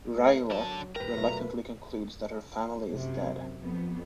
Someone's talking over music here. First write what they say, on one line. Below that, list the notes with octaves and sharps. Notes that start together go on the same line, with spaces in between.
Rayla reluctantly concludes that her family is dead.
A2 A3 B4
A#4
D3 F#3 A5
D#1 A#4 B4 G5 A#5
B2 F#3 A3 F4
F#2 C3
F2 B3